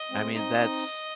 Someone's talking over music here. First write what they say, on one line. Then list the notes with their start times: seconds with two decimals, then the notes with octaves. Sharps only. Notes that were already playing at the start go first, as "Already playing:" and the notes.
I mean, that's,
Already playing: D#5
0.11 G#3 C4
0.34 C4 D#4 D#5
0.58 C4 D#4